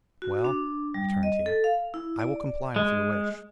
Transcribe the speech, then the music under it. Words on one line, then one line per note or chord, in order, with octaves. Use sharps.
"Well," returned he, "I will comply with your wish."
F#4
D4
G3
D#5
A4
F5
E4
D5
G#3